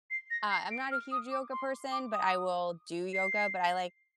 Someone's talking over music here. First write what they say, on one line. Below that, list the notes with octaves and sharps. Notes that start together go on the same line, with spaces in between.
uh I'm not a huge yoga person, but I will do yoga, but I like
C7
A#6
C7
D7
F6
D#6
D6
C6
D6
D#6
C7